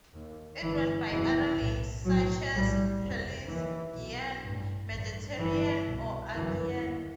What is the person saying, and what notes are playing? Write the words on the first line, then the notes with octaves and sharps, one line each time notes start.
It went by other names, such as "Pelasgian", "Mediterranean", or "Aegean".
D#2
G1 G2 E3
F#1 E2 C3 E3
B1 A2
B1 A2 F#3
B1 A2 G3
F#1 E2 C3
D#2 E3
B1 B2
A1 G2
A1 G2
G1 G2 E3
C2 B2
G1 F#2 E3
D#2